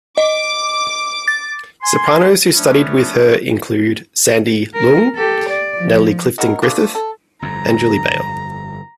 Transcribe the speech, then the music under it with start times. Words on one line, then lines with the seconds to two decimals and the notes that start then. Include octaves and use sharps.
Sopranos who studied with her include Sandy Leung, Natalie Clifton-Griffith and Julie Bale.
0.18 D#5 D6
1.28 A6
1.82 G#5 C6
2.53 F3 A3 B3 C#4 D4
4.74 A#4
5.15 G4 A4
5.49 D5
5.77 F3
6.38 D#4 E4 F#4 A#4
6.62 E3 F3 A3 D4
6.95 A4
7.42 G1 F2 A#5